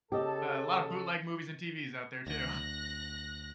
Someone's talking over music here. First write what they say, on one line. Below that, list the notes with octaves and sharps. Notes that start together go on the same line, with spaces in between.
a lotta bootleg movies and TVs out there too.
C#3 G4 A4 D#5
D2 F#6 A#6